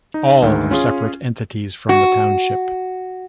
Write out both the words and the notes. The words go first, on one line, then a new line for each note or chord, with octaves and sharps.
All are separate entities from the township.
D#4
D2 G#2 D#3
C#4 F4 G#4
F#4